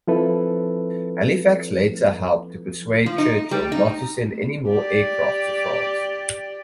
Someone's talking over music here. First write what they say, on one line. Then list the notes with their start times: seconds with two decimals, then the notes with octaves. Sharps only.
Halifax later helped to persuade Churchill not to send any more aircraft to France.
0.07 F3 C4 E4 A4 B4
3.06 F3
3.18 D#4
3.51 G3
3.72 D#4
4.69 G4 D5